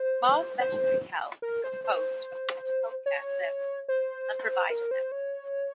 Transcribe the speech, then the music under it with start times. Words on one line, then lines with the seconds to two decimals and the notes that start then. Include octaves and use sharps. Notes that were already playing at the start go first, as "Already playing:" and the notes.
Mars Veterinary Health is composed of pet healthcare services and provider networks.
Already playing: C5
0.61 C5
1.42 A#4
1.64 C5
1.84 C5
3.06 C#5
3.88 C5
4.70 A#4
4.91 C5
5.12 C#5